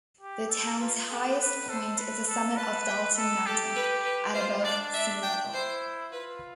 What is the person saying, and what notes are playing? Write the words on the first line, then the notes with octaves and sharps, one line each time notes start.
The town's highest point is the summit of Dalton Mountain, at above sea level.
G4
A4 A5
F4 B4
G4 A4
B4
A4 C5
B4
A4
B4 A5
G5
A4
G4 A4
B4
B4
F4 C5
D4 D5
E5
G5
E4 C5
F4 B4